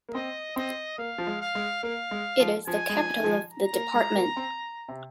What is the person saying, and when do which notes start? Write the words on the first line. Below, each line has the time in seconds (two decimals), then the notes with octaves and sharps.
It is the capital of the department.
0.09 A#3
0.14 C4 D#5
0.56 C4 D#5
0.98 A#3 F5
1.18 F3
1.27 G#3
1.41 F5
1.55 G#3
1.83 A#3 F5
2.11 G#3
2.40 F3
2.67 F3 G#5
2.89 G#3
2.95 F3
3.20 D#3
3.24 F3
3.53 A#5
3.73 A#3
3.94 G#3
4.16 A#3
4.37 C4
4.88 C3